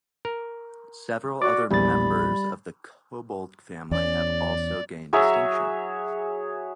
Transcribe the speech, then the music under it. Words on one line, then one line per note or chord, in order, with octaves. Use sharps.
Several other members of the Cobbold family have also gained distinction.
A#4
F#4 D5 D6
A#1 E2 G3 B5 A6
E2 C#4 D5
F#3 G#4 C#5 E5